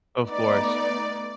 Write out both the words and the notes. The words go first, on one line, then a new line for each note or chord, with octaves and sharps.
Of course.
A3 B3 D#4 D5